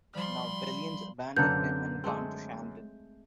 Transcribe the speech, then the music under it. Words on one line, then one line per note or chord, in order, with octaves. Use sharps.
Now, Belion's abandoned him and gone to Shandon.
F3 G3 B5 C6 F6
F#2 D3 A#3 A4 B4 F#5 G6
G#3 A3 C4